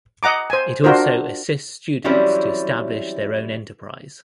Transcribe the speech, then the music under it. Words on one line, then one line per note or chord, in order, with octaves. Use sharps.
It also assists students to establish their own enterprise.
D#5 F#5 A#5 D6
C5 G#5
D4 F4 F#4 A#4 C5
E3 F#3 G3 C4 C#4 E4